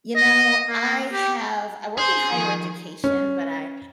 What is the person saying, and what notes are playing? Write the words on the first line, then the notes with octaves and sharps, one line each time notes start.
You know, I have I work in higher education, but I,
D#5
A#3
G4
G#4 C5
D#3 F3
C#4